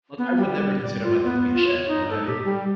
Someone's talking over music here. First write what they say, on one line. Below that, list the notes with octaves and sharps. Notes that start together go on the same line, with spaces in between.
like, I would never consider myself to be a chef, you know what I mean?
B3
G3
G3
D5
F4
B3
F4
C#5
D#4
A4
G4
G3